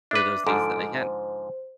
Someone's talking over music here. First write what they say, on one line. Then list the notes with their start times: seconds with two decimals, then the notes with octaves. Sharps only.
for those days that I can.
0.11 D4 B4 E5 D6
0.47 G#2 D3 F3 A4 D7
0.94 C5